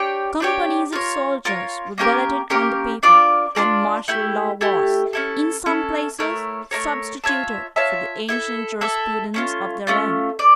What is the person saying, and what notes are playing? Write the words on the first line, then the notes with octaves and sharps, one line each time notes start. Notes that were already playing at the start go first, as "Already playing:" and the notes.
Companies of soldiers were billeted on the people; and martial law was, in some places, substituted for the ancient jurisprudence of the realm.
Already playing: D4 G4 C#5 G5
D4 G4 C#5 G5
F4 A#4 C#5
F4 A#4 C#5
A#3 C#4 G4 A#4
A#3 C#4 G4 A#4
D4 F4 A#4 D5
D4 F4 A#4 D5
A3 E4 G4
A3 E4 G4
C#4 E4 A4
C#4 E4 A4
A3 E4 A#4 C#5
A3 E4 A#4 C#5
F4 C#5 E5 A5
F4 C#5 E5 A5
E4 A4 E5
E4 A4 E5
A3 C#4 F4
A3 C#4 F4
D5